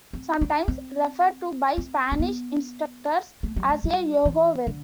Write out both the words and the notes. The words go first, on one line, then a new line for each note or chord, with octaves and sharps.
Sometimes referred to by Spanish instructors as a "Yo -go" verb.
C4
D4
C4
C4
C4
B3
A3
G3
A3
G3
E3
D3